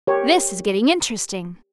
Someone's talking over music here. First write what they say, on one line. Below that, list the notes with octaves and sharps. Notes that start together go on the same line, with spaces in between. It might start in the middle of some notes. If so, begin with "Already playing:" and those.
"This is getting interesting!"
G4 A#4 C#5